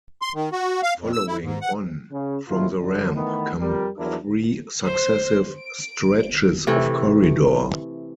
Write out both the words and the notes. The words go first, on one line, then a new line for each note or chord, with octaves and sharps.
Following on from the ramp come three successive stretches of corridor.
C6
D#3
F#4
F5
F2
E6
E4
G#2
F#5
C#3
D#2 G#2 F#3 A3 E4 F4
F#2 D3
D#3 E3 A3 B3
F2 G3 A#4
E2 F3 F#3 D4 E4 A#4
C5
D7
C3 E3 A3